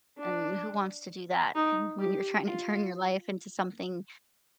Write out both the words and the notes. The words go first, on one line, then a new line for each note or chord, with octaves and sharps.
and who wants to do that when you're tryna turn your life into something
D4
D#4
G4
F4